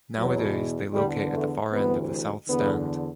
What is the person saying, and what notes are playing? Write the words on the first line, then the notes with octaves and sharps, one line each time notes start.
Nowadays they locate at the far end of the South stand.
E2 B2 F#3
E2 D3 G3
A3
D2 C3 E3 B3
E2 D3 B3